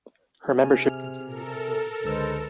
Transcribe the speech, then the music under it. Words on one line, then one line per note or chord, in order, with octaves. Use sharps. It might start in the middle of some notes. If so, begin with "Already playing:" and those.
Her membership continued until her death.
C3 G#4 G#5 F6
A4 A#4
C#2 D3 G#3 B4 C5 E6